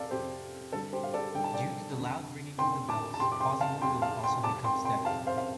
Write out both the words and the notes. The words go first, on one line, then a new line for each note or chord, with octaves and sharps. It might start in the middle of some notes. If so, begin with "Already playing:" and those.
Due to the loud ringing of the bells, Quasimodo also becomes deaf.
Already playing: F2 C3 A4 D5 F5
F2 C3 G4 C5
G2 D3 A4
G4 C5
F5
A4 D5
G2 D3 G5
A5
D5 G5
F2 D3
F2 D3 G5 C6
A5 D6
A5
F2 C3 G5 C6
D6
G5 C6
F5 A5
F2 C3 G5 C6
F5 A5
G5 C6
F2 C3 A5 D6
G5 C6
G5 C6
F2 C3 F5 A5
C5 F5
F5